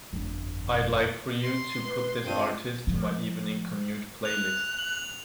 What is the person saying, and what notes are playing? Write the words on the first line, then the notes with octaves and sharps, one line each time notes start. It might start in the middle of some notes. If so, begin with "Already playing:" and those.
I'd like for you to put this artist to my Evening Commute playlist.
G1 F2
C6
B4
G2 C4 F4 D#7
F3
F#6 F7
F#7